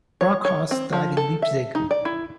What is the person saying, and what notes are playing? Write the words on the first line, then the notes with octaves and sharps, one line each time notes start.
Brockhaus died in Leipzig.
C#5
C#5
C4
F3
A4
E5
D#4
D5
E4